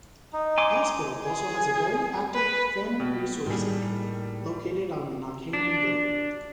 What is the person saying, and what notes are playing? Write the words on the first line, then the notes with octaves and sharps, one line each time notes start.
Hospital also has a very active Family Resource Centre located on the Knockainey Road.
D#4
G#5 C6 D6
G#4
B4
B2 G5
A2 D#3 G3 A#3 G#4
D4